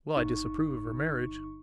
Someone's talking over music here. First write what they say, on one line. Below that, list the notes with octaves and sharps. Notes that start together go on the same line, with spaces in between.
Well, I disapprove of her marriage.
G1 D#4 C#6